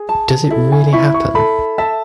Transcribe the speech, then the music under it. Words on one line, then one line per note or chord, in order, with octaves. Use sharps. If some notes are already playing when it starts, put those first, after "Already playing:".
Does It Really Happen?
Already playing: G#4
A5
E4 A4
G#5
E4 C#6
C#6
A4 B5
E5 A5